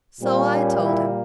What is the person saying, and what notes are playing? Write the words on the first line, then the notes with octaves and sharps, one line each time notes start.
'So I told him.
A#2 G3 A#3 C4
C#4
E4